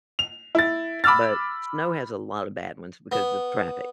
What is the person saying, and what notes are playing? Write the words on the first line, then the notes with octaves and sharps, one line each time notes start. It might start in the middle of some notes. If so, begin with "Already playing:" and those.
but snow has a lot of bad ones because of traffic,
F7
E4 A6
B5 D6 E6 F6 A6
B3